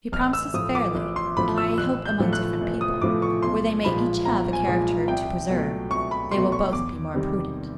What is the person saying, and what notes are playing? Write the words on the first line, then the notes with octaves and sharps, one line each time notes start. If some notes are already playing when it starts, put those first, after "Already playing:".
He promises fairly; and I hope among different people, where they may each have a character to preserve, they will both be more prudent.
A1 F6
E6
A2 F3 D#6
D6
A1
C6
A2 F3 B5
E6
A1 F#6
G6
A2 F3 A3
F#6
A1
D#6
A2 F3 A3 D6
C#6
B1 C6
A#2 F3 G#3 B5
B1 A#5
G#5
A#2 F3 G#3
C2 G5
B2 F#3 A3
C2 C#6
B5
B2 F#3 A3 C6
C#6
E2 D6
C3 D#3 G3